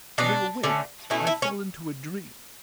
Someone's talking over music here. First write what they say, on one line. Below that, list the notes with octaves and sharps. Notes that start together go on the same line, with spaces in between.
Though awake I fell into a dream.
B2 F#3 C#4 D4
D3 A3 C#4
B2 A3 C#4 E4
E4
C#4